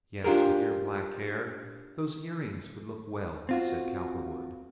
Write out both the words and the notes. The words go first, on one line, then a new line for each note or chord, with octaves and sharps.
"Yes, with your black hair those ear-rings would look well," said Cowperwood.
D4 F4 G4 G#4 A#4
C4 F4 F#4